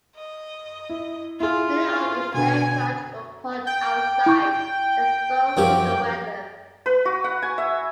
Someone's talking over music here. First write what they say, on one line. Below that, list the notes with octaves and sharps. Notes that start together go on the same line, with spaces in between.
Many of its aircraft were parked outside and exposed to the weather.
D#5
E4
E4 F4 G#4
B2 D3 B4 G#5
G5
E4 C#6 G6
F#2 F3 G4
B4
F#4
F#5
G#5
E5